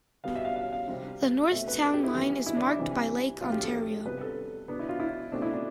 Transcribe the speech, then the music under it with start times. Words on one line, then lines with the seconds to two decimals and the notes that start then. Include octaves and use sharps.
The north town line is marked by Lake Ontario.
0.24 B2 G3 B3 F5
0.35 E5
0.45 F5
0.56 F5
0.72 F5
0.88 C3 G3 C4
1.51 B2 A3 C4 E5
1.68 B4
1.83 A4
1.94 G4
2.04 E4
2.14 E3 G3 B3
2.46 E4
2.56 D4
2.67 E4
2.78 C3 E3 G3 C4
3.41 A2 F3 C4 F4
3.52 G4
3.63 A4
4.05 C3 G3 B3 B4
4.21 A4
4.68 B2 B3 D4
4.79 E4
4.89 F4
5.00 E4
5.32 B2 A3 C4 D4
5.42 E4
5.53 D4